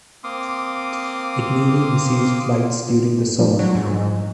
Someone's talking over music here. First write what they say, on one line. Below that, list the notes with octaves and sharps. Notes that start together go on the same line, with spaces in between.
It mainly receives flights during the summer.
A#3 C4 F5 C6 D6 D#6
F3 G3 D4
F#3
G#2